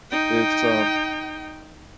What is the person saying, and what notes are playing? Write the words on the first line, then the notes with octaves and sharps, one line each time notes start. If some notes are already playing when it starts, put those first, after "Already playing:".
it's, um,
D#4 G5